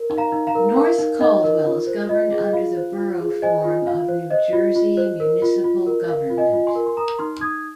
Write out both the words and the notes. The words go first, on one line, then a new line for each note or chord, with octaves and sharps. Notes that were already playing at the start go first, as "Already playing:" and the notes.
North Caldwell is governed under the Borough form of New Jersey municipal government.
Already playing: A#4
D#4
F5 A#5
D#4
F5 A#5
A#4
A#4 F5
D#4
D#4 D#5
A#4
F4
C5
F4 D#5
G#4
D#5
F4 F5
C5
F4
G#4
C5 D#5 G#5
F4
F4 F5
C5
C5 D#5
F4
F4
C5
A#4
F4
F4
A#4
A#4 F5
F4
D#5 G#5
F4
G#5 C6
A#4
C6
A#4 A#5 D#6
D#4 C6 F6
D#4 D#6 G#6